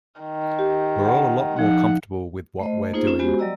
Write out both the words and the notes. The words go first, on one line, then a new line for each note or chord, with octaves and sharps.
We're all a lot more comfortable with what we're doing.
D#3
G4
F#5
F3 D#4 F#5
A3 C5 D#5
A#3 D#4 F4 G#4 C5
C#4 F4
G#3 B3 F#4 G4 C5 G#5
F#3 G3 D5 D#5 A#5 E6